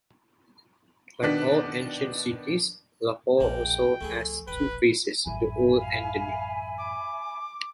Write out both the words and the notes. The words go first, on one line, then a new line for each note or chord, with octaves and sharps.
Like all ancient cities, Lahore also has two faces, the old and the new.
B2 D#3 B3 D4 F#6 B6
A#1 E2 G#3 A#3 G5
C#2 F3 A3 E4 G#4
E1 A#1 B4 G5
A1 F#2 E5 G#5 B5
F5
D6